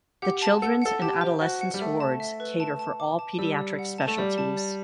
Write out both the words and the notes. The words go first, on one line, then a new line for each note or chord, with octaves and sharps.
The Children's and adolescents' wards cater for all paediatric specialities.
G4 F#5
A5
A4 F#5
A4 F#5
G4 A5
C5
F#4 C5
F#5
G3
A3 E5
A5
E5
B4
A5
A5
D6
A5
G3 E6
D5
F#5
A5
A3
G3 D5
A5
D5